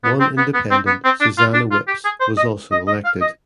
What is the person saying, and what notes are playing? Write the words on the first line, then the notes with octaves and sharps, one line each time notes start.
One independent Susannah Whipps was also elected.
B3
C4
B3
B3
C4
B3
C4
D4
F4
D4
F4
G4
G#4
C5
D#5
D#5
D#5
F5
D#5